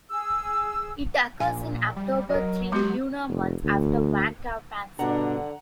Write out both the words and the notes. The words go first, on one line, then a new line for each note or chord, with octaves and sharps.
It occurs in October, three lunar months after "Wan Kao Pansa".
G#4 E6
A#1 A#2 G#5
G3
F#3 A#4 D#5
G#3 G4 C6 G6 C#7
F1
D2
G2 B2 D3 D4 F#5 A#5